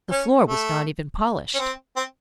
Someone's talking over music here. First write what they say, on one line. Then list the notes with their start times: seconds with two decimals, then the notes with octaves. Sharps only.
The floor was not even polished.
0.11 C#4
0.48 A3
1.54 C#4
1.60 C4
1.97 C4